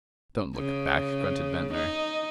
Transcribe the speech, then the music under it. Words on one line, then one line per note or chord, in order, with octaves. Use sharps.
"Don't look back," grunted Ventnor.
C#3
D#4